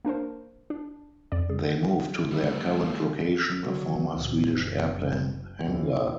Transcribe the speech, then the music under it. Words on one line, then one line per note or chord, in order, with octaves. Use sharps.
They moved to their current location, a former Swedish airplane hangar.
A#3 D4 A#4 C5
D4
F2 D5
G#4
G3 A3
D3 F#3
D2 A#2
F#1
D#2 E3